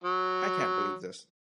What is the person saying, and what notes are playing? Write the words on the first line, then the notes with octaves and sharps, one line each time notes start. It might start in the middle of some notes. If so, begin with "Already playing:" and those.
I can't believe this.
F#3